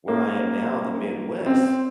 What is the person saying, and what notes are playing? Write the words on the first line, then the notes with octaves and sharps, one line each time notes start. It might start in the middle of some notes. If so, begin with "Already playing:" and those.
where I am now in the Midwest,
A#3
C4